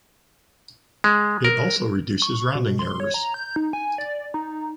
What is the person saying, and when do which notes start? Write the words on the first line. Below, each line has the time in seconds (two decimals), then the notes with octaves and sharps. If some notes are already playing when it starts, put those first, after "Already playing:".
It also reduces rounding errors.
1.04 G#3
1.45 A#4
2.22 C#6
2.55 B2
2.79 C6
3.00 C#5
3.14 A#5
3.34 G6
3.56 D#4
3.73 G#5
3.98 D5
4.34 D#4